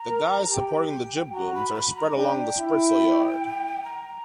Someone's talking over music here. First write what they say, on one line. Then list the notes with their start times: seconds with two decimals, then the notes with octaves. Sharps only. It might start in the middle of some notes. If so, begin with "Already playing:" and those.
The guys supporting the jib-booms are spread along the spritsail yard.
Already playing: A#5
0.08 A#4
0.50 G4 A#5
0.54 G5
1.33 F#4 A#5
1.54 B5
1.75 B5
1.96 A#5
2.16 D4 G5
2.58 E4
3.84 A#5